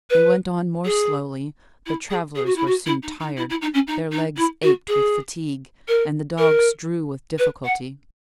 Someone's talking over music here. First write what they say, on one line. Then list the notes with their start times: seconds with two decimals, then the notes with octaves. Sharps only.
They went on more slowly; the travellers were soon tired; their legs ached with fatigue, and the dogs drew with difficulty.
0.10 B4
0.85 G#4
1.86 E4
2.10 G#4
2.35 G#4
2.45 F#4
2.56 E4
2.66 F#4
2.86 E4
3.02 D#4
3.20 D#4
3.37 E4
3.50 E4
3.61 D#4
3.74 C#4
3.87 D#4
4.12 D#4
4.36 E4
4.62 F#4
4.88 G#4
5.88 A#4
6.38 A#4
7.38 B4
7.64 F#5